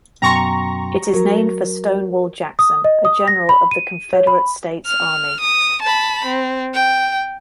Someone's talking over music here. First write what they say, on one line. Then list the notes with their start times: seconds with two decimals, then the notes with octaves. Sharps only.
It is named for Stonewall Jackson, a general of the Confederate States Army.
0.22 F#2 B2 G5 A#5 C6 C#6 A#6
1.14 F#3 F#4 A#4
2.59 D#6
2.84 D#5
3.05 D#6
3.28 A#6
3.49 B5
3.71 D#7
4.13 C#5
4.27 B5
4.86 F6
5.40 D#6
5.82 A5 B5
6.25 C4
6.74 G5